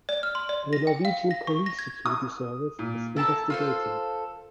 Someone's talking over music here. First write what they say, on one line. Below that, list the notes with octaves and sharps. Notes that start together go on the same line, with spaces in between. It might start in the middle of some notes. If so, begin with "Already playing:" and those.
The Norwegian Police Security Service is investigating.
D5
F6
C6
D5
A#6
G5
F5
A#6
C#6
A#6
G#6
D#6
A#2
E4 A4 A5 A#5
F4 A4 C5